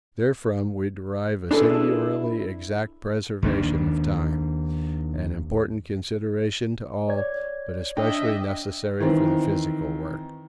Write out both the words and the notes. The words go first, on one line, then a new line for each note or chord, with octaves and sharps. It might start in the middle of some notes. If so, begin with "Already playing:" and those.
Therefrom we derive a singularly exact preservation of time--an important consideration to all, but especially necessary for the physical work.
D4 E4 G#4 A4 B4
D#2 D#3 D4
C#5 D5 G#6
D4 D#5 E5 G5
D#3 E3 C4